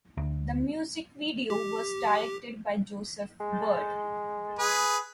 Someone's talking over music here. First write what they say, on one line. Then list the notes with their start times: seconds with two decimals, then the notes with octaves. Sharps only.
The music video was directed by Joseph Bird.
0.17 D2
1.50 G4
3.41 G#3
4.59 G#4 B4